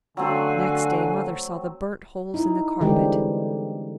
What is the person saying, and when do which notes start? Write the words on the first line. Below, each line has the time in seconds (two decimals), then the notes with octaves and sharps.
Next day mother saw the burnt holes in the carpet.
0.17 D3 F#3 A3 C4 F#4 F5 G#5
2.34 D#4 E4
2.81 D3 E3 G3 G#3 C4 G4